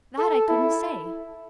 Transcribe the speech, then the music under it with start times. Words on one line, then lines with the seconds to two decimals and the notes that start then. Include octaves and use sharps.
"That I couldn't say."
0.18 A4
0.48 E4